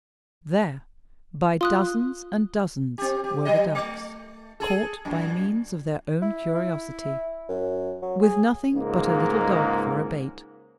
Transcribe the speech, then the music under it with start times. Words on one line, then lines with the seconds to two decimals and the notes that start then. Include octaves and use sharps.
There, by dozens and dozens, were the ducks, caught by means of their own curiosity--with nothing but a little dog for a bait!
1.61 F4 C6 D#6 F#6
2.98 C4 G4
3.24 G4
3.45 F#3 G3 D#5
3.75 A3
4.60 G#4 A4
5.05 F#2 A#2
6.21 E4
6.55 E4
7.48 F#2
8.02 F#3
8.22 G#4
8.75 C#2 G#2 A#3